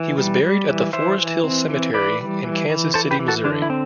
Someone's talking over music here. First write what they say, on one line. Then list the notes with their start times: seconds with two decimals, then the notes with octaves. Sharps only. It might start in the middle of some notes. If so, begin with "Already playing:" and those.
He was buried at the Forest Hill Cemetery in Kansas City, Missouri.
Already playing: E3
0.18 G3
0.43 G3
0.68 E3
0.93 E3 C5 E5
1.18 E3
1.44 C4
1.68 E3
1.93 E3 B4 D5
2.20 G3
2.44 E3
2.70 E3
2.94 E3 A4 C5
3.11 G4 B4
3.19 E3
3.28 F#4 A4
3.44 D3 D4
3.62 E4
3.70 C4